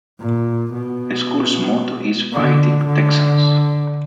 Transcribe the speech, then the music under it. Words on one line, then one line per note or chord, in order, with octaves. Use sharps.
The school's motto is "Fighting Texans".
A#2
B2
D3
D3